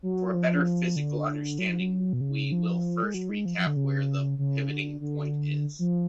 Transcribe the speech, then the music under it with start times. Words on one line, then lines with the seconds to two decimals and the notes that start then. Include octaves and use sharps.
For a better physical understanding, we will first recap where the pivoting point is.
0.03 F#3
0.34 F3
0.96 D3
1.59 F#3
1.69 F3
1.80 F#3
2.13 B2
2.21 C#3
2.52 F3
3.03 G#3
3.14 F#3
3.29 G#3
3.45 F3
3.58 F3
3.67 D3
3.76 C#3
4.39 C#3
4.69 D3
5.00 D3
5.79 F3